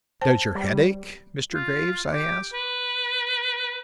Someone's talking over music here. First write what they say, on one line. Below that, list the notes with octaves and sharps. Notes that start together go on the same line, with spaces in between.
"Does your head ache, Mr. Graves?" I asked.
C5 G5 A5
G3
F4
G4
B4